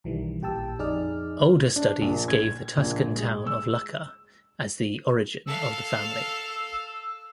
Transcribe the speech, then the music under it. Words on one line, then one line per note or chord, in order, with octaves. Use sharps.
Older studies gave the Tuscan town of Lucca as the origin of the family.
B1 D#3 E3 G3
A1 A#2 G4 G5 A5 E6
F2 D#4 G#4 D5 F6
D4
A#1
G#6
A#1
G#3
E6
A4 F5 E6